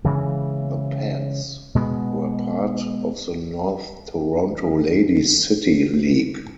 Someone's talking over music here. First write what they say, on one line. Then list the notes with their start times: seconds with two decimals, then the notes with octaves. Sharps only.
The Pats were part of the North Toronto Ladies' City League.
0.04 C#3 E3 G#3
1.75 B2 G#3 B3